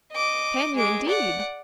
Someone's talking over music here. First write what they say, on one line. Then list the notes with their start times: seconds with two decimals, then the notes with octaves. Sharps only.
"Can you, indeed!"
0.12 D#5 D6
0.75 G#3 D6
1.08 D5 F#5